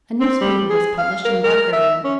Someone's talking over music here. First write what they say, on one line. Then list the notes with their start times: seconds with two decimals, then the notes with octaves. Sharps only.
A newspaper was published in Barkerville.
0.20 C4
0.41 G3
0.70 G#4
0.98 F5
1.25 A#4
1.44 A#4
1.73 E5
2.04 C#4